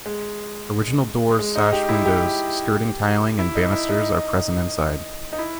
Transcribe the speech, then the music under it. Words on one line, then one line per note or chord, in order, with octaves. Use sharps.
Original doors sash windows skirting tiling and banisters are present inside.
G#3
G#3
D#4
G4
E4
G4
E4
D#4
E4
D#4
D#4
E4